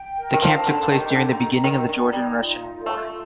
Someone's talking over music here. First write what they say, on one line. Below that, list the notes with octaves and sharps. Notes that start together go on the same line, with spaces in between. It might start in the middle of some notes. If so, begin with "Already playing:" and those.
The camp took place during the beginning of the Georgian-Russian war.
Already playing: G5
A#4
D#3
F3
A5
D3
D#3 G4
D#3
D3
A#5
D#3
D#3 D5
D#3
D#4
G3
F4
F4
A3